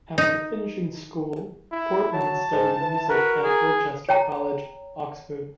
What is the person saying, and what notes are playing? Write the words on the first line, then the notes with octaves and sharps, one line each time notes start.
After finishing school, Portman studied Music at Worcester College, Oxford.
D#4
E4
F#3 A5
G#2
E3
F#4 A#4 B4
G#4
C#5 G5 A#5